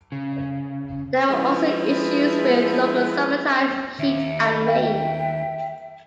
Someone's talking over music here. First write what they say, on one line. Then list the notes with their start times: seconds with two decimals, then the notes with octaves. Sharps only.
There were also issues with local summertime heat and rain.
0.12 C#3
1.30 F3 G#3 E4 B4
3.99 D#2 E5
4.42 D#5 B5
4.66 E5 G5